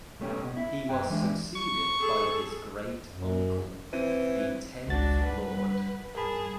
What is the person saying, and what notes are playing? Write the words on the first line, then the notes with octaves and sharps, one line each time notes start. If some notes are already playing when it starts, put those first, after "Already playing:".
He was succeeded by his great-uncle, the tenth Lord.
B1 A3 C#4 G4
B2
E4
F#2 G5
E3 G#3 D4
C#6
G#4 A4
F#2
E3 C4 E4 D#7
G#1 C#2 D4 F#4 A6
G2 G3 B4 F#5
G2 G#4 A#4 A5 B5